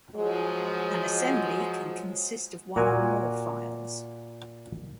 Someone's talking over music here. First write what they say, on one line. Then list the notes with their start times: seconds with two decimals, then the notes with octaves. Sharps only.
An assembly can consist of one or more files.
0.16 F3 F#3 G#3
2.76 A#2 F#4 A#4 G#5